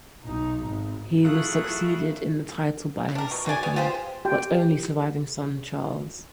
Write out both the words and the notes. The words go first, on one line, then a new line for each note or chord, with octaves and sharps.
He was succeeded in the title by his second but only surviving son, Charles.
B1 D#4
G#1
F#3 A3 E4 F4 G#4
D4 A#4
B2
F#4 G#4 D5 G#5
B3
F4 G4 G#4 C5
G4 G5